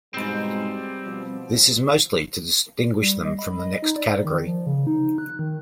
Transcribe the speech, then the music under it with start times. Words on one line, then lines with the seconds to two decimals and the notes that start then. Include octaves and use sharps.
This is mostly to distinguish them from the next category.
0.14 G#2 B2 G3 G#3 C4
1.05 B2 F3
3.01 G3
3.25 D#5
3.39 B5
3.59 D#5
3.82 D#4
3.96 D5
4.25 D#3
4.46 F3
4.67 C#3
4.87 D#4
5.18 F#6
5.39 D#3